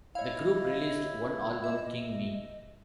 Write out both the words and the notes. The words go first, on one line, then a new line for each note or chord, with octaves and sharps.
The group released one album, "King Me".
E4 C#5 D#5 F5
D#5 E5